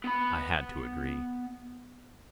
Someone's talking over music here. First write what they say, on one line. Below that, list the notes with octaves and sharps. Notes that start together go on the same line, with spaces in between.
I had to agree.
B3 B5